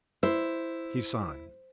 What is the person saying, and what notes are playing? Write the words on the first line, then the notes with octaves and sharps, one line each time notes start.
He signed.
E4 C5